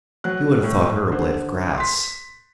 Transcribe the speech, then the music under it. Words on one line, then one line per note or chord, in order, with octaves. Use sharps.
You would have thought her a blade of grass.
F#3 F#6
A2
D3 C5
C6 B6